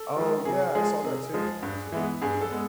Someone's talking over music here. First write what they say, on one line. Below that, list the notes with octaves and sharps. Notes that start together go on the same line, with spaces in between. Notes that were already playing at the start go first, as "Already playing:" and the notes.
Oh, yeah. I saw that too, actually, yeah.
Already playing: A4
F3 G#3
C3 G#4
F3 G#3 G#4
C3
F3 G#3
G2
E3 G#3 B3
G2 G#4
A4
G#3 B3